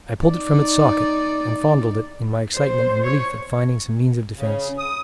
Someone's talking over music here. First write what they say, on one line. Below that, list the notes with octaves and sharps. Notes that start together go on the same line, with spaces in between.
I pulled it from its socket, and fondled it in my excitement and relief at finding some means of defence.
D#4 D5
C5
C#5
C#3
D#6